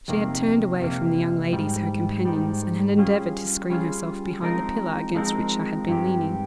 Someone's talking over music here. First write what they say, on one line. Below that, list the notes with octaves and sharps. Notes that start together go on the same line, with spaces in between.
She had turned away from the young ladies her companions, and had endeavoured to screen herself behind the pillar against which I had been leaning.
F2 C3 D#3 A#3
F2 C3 A#3
G#2 D#3 G3
G#2 D#3 G3
G3 C#4 F4 G#4
G3 C#4 F4 G#4
F3 G#3 C4 D#4 A#4
F3 G#3 C4 D#4 A#4
G2 D#3 G#3 C4 G4